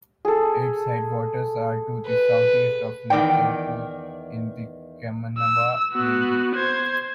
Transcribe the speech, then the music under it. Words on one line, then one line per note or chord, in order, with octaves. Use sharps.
Its headwaters are to the southeast of Lake Taupo in the Kaimanawa Ranges.
G#4 A4
B4
E2 D#3 D5 G5
E6
B3 F#4
C5 G#6